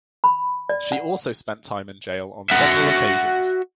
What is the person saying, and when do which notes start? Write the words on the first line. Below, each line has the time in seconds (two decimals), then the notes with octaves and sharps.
She also spent time in jail on several occasions.
0.24 B5
0.69 D5
0.92 F#5
2.50 F#4 E5